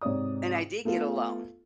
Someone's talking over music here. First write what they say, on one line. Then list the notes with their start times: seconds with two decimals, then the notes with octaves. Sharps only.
and I did get a loan
0.01 G#2 C3 C#5 D5 D#6
0.85 A3 B3 F4 A4